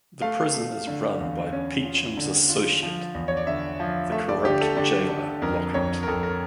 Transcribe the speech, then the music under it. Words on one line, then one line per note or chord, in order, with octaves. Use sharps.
The prison is run by Peachum's associate, the corrupt jailer Lockit.
A3 F5
A3
D3
E2
C#4
F4
D3
F4
F3
E2
C#5
D5
D3 E5
F3
A3 E5
D5
D3 G4
A4
D3 G4
D3
F2 A#4
F2 C#5
A#4
F2 A4
A#4